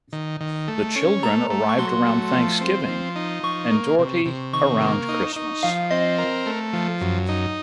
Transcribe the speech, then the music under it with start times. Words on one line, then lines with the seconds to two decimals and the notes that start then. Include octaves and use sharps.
The children arrived around Thanksgiving and Doherty around Christmas.
0.13 D#3
0.41 D#3
0.68 A3
0.96 C#4
1.23 A3 A#5
1.50 A3
1.69 C#6
1.78 F#3 C6
2.06 A3
2.33 F3
2.61 C4
2.88 F3
3.16 D#4
3.43 F3 C#6
3.71 A#3
3.99 C3
4.26 C3
4.53 D#3 C#6
4.80 A#3
5.09 D#4
5.36 D#4
5.63 F3 F5
5.91 C4 D#5
6.18 A#4
6.46 A3
6.73 F3
7.01 F#2
7.29 D#4